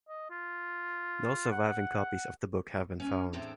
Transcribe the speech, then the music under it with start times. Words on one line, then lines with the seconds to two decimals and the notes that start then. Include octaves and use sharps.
No surviving copies of the book have been found.
0.08 D#5
0.30 F4
1.51 F#5
3.00 C#4 G#5
3.33 E2 A2 C4 D4 A4 A#5